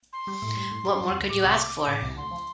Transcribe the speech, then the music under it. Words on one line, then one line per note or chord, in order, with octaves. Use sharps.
What more could you ask for?
C6
G3 G4
A2 A3
G2 G3
A2 A3
G2 G3
G2 G3
F2 F3
D2 D3
A2 D6
C2 C3
A2
C2 C3
D2 D3 C6
F3